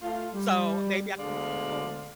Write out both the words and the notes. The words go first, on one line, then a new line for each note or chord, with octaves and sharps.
so maybe I can be more helpful.
A3 F4
G3
D2 B2 D3 G#3 D5 F5